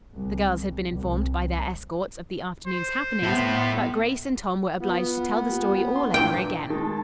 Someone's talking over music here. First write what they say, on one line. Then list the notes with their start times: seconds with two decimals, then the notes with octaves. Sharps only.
The girls had been informed by their escorts of the afternoon's happenings, but Grace and Tom were obliged to tell the story all over again.
0.16 C2
0.94 C2
2.67 C5
3.24 B3 E4 A4
4.80 B3 F4
5.50 A#3 F4 G4
5.96 D4 C6
6.14 G2 A#2 E3 G5
6.70 D#3 G#3 A5